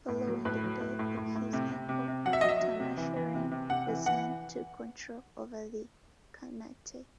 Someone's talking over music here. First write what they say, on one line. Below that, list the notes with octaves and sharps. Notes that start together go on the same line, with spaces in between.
Following the death of his uncle Tarmashirin, Buzan took control of the khanate.
A2
F#3
A2 B4
F#3
A2
A2
A2
A2
C3
C3
C3
C3
F#3 F#5
E5
F#3 D#5
E5
F#3
C3
E3
E3
C3
C3
C3 F#5
E3
E3 F#5